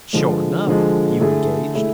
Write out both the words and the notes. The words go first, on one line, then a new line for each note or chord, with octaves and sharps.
"Sure enough, you engaged?"
D3 F3 G#3
D3 F3 G#3
D3 A3 E4 G#4
D3 A3 E4 G#4